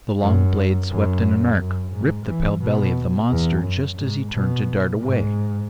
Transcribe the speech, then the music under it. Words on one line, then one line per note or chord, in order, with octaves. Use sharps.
The long blade swept in an arc, ripped the pale belly of the monster just as he turned to dart away.
F#2
F#2
F#2
G#2
E3
B2
E2
F#2
G#2
B2
G#2